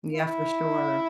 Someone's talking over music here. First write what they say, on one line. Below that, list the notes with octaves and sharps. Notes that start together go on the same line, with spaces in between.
Yeah, for sure.
E4